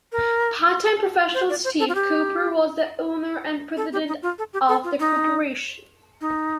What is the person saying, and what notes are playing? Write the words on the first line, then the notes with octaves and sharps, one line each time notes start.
Part-time professional Steve Cooper was the owner and president of the corporation.
A#4
C5
D5
C5
A4
F4
G4
A4
G4
D#4
F4
A4
G4
A4
F4
D#4
D#4